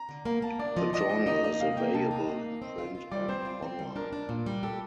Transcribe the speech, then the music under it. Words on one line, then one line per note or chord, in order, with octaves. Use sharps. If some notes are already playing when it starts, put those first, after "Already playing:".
The journal is available in print and online.
Already playing: A#5
D3
A#3 A#5
A#3 A5
D4 D5
F3 D#5
F3 D#5
D4 D#5
D#4 D#5
A#3 D#5
C3 F5
A#3 G5
C3 A5
D#4
A#3
D#4
C4
F4
F4
G3 D5
C4 C5
F4
C4
G3
D4 A#4
D4
A#2
G3
G4 A4